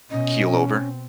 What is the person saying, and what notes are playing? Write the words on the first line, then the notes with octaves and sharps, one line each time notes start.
keel over?
B2 C#4 D#5
C4